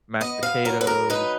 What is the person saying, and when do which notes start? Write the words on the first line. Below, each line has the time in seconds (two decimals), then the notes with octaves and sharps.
mashed potatoes.
0.21 B3 D#5
0.43 F5
0.65 F#3 A#4
0.81 B4
0.87 A#4
1.10 D#4 B4